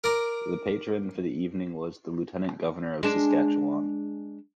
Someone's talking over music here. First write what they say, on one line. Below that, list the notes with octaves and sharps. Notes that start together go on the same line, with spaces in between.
The patron for the evening was the Lieutenant Governor of Saskatchewan.
A#4 D5 A#5
G#3 D4